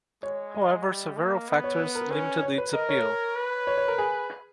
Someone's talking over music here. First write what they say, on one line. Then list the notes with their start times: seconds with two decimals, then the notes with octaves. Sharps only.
However, several factors limited its appeal.
0.23 G#3 C#5
0.55 D#5
0.86 G3
1.17 A#3
1.49 B3
1.64 C#5
1.79 B4
1.95 A#4
2.11 C#4 B4
2.43 C#5
2.58 B4
2.73 A#4 D#5
2.89 C#5
3.36 B4
3.67 C#5
3.78 C#5
3.88 A#4
3.98 G#4